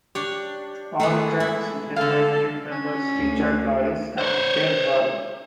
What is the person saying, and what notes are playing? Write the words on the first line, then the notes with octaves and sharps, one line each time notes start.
All tracks written by Grid members Richard Norris and Dave Ball.
D4 G4 C#5
D#3 G#3 A3 B3
E4
D3 A4 F5 A5
C#4
D2
C5 C#5